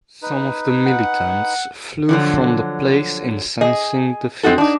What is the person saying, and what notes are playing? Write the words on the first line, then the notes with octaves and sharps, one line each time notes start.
Some of the militants flew from the place in sensing defeat.
D#4 B4
F#5
D3 F3 F#3
G#4 D#5
C4 D#4 F#4 A4
D4 D#4